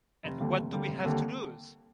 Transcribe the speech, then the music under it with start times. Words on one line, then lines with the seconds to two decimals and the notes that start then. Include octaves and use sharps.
And what do we have to lose?
0.24 F1
0.41 D#2 D3 G3 A#3
0.57 F1
0.72 D#2 D3 G3 A#3
0.88 F1
1.04 D#2 D3 G3 A#3